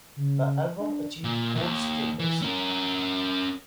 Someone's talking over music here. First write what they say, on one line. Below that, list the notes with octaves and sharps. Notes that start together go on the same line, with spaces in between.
The album achieved gold status.
C#3
D4
A#2
D#2
E3
C#4 A#4